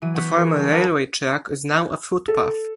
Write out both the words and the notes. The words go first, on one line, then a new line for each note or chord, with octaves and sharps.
The former railway track is now a footpath.
E3 F#3 D#7
B3 F#5 C#6 G6 B6
G#4 A#4
G3 A4
D4 A#4 F5 F#5 A5 B5
A4